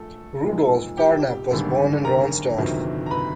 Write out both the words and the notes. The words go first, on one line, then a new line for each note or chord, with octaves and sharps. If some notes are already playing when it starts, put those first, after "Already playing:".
Rudolf Carnap was born in Ronsdorf.
Already playing: A#1 F3 A3 A4
B1 A#2 F3 G#3
G4 G5
G#1 F#2 D3 G3
A#4 A#5
G1 F2 C3 D#3 F#3
A#5
B4 B5